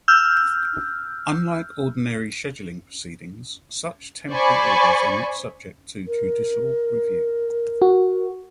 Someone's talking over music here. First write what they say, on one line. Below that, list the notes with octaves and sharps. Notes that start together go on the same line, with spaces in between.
Unlike ordinary scheduling proceedings, such temporary orders are not subject to judicial review.
E6 F6 G6
C5 D5 G#5 B5 C#6
A#4
F#4